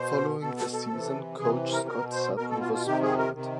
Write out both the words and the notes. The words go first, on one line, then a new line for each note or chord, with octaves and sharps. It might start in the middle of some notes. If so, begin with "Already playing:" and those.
Following the season coach Scott Sutton was fired.
Already playing: B2 C5
B2 A4
A4
A4
C3 E3
C3 E3 G#4
A#4
B2 A#4
C5
B2 A#4
A4
F4
F4
C3 D#3 G4
G#4
A#4
C3 D#3